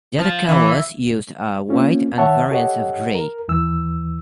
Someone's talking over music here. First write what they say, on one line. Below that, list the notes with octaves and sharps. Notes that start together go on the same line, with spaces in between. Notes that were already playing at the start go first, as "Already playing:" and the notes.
The other colours used are white and variants of grey.
F3
E3
A#3 C4 C#4 F4
D#3 C#5 E5 F#5 A5
G4 A4 C#5 D#5 F#5
A#4
D#2 E3 E6